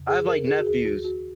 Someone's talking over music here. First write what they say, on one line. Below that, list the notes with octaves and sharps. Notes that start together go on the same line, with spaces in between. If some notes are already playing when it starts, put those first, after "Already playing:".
I have, like, nephews.
Already playing: F2 C#3
G#4
A#4
G#4
F#4
D#2 D#3 G#4
F#4
F#4